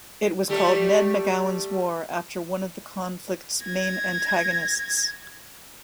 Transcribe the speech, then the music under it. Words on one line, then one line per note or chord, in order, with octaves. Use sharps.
It was called Ned McGowan's War after one of the conflict's main antagonists.
G3 A3 G4
G#6 A#6